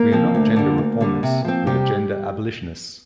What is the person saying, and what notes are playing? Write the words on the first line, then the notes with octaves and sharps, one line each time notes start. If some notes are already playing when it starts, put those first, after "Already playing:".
We are not gender reformists-we are gender abolitionists.
Already playing: A#3 A#4
F3 C4
D2
D3 G3
D2
D3 G3
C3
F3 C4
C3 G3 G4